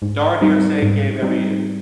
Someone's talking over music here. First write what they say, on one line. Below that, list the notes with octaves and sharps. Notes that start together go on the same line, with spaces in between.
darn near the same game every year.
G#2
G3 C4 D#4
G#2
G3 C4 D#4